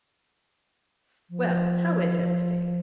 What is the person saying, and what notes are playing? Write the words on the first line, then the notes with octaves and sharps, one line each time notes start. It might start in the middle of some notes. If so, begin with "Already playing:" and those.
'Well, how is everything?'
F3